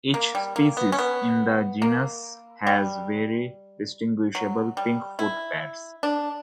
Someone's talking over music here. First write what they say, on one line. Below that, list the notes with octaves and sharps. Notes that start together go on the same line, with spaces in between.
Each species in the genus has very distinguishable pink foot pads.
A#3
G3
A#3
B3
C#4
B3
A#3
G3
F#3
G3
E4
D4